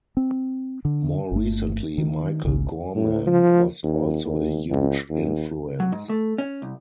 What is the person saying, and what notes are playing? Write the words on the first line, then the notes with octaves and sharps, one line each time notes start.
More recently Michael Gorman was also a huge influence.
C4
D3
G1 A3
D#3
G#1 C#2 C#3
A2
F3
D#2
D#2
C#2
D#2
F#3
G#2
A3
C#4
C2